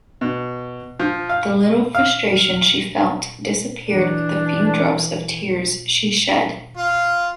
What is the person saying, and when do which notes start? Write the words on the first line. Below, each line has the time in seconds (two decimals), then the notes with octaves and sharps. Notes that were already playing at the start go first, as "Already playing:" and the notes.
The little frustration she felt disappeared with the few drops of tears she shed.
0.21 B2
1.00 F3
1.29 F5
1.95 F5
3.87 E3 D4
6.77 F4